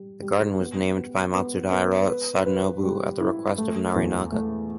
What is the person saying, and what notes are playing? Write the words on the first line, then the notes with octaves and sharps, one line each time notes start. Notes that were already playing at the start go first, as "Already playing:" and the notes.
The garden was named by Matsudaira Sadanobu at the request of Narinaga.
Already playing: G3
G3
B3
B3
B3
B3
B4
B4
G3
E4
A3
E2
A3